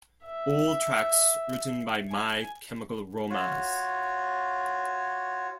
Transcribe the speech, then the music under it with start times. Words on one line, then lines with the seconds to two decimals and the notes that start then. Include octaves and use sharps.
All tracks written by My Chemical Romance.
0.24 E5
2.10 G#5
3.30 F4 F#4 C#5